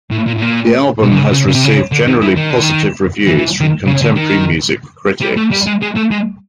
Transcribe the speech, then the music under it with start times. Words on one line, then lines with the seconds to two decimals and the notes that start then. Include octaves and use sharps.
The album has received generally positive reviews from contemporary music critics.
0.11 A2
0.27 A#2
0.37 A2
0.41 A#2
1.02 B2
1.12 D3
1.16 C#3
1.31 C#3
1.46 C#3
1.55 C3
1.64 C#3
1.92 D3
2.07 D#3
2.22 E3
2.36 D#3
2.50 D3
2.62 D#3
3.27 E3
3.38 E3
3.60 D#3
3.87 C#3
4.02 D3
4.16 D#3
5.22 G3
5.37 A3
5.52 G3
5.66 G#3
5.82 G#3
5.96 A3
6.11 G#3